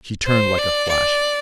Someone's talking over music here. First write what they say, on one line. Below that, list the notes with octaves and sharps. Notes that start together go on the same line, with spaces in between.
She turned like a flash.
C5
D5
D5